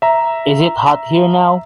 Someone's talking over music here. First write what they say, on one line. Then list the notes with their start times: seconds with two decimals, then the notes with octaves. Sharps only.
Is it hot here now?
0.02 E5 A#5